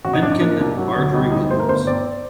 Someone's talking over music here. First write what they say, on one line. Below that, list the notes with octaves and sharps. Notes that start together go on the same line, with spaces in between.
Mencken and Margery Williams.
A1 F#4
D#4
A1 D4
D#4
A#3 D4
C2
F#3
D2
G3 D#4
G1 D#4
A3 C5
A#4
G1 C5
C4 D5